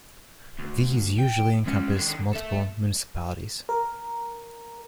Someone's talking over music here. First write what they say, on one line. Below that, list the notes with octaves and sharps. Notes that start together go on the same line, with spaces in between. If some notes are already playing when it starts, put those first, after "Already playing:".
These usually encompass multiple municipalities.
D2
G5
G#3 C#4
D3 D#3
A4 E5
A#4